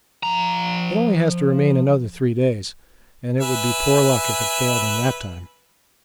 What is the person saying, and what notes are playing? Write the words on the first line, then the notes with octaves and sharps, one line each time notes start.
It only has to remain another three days, and it would be poor luck if it failed in that time.
F3 A#5
B4 E5 G#5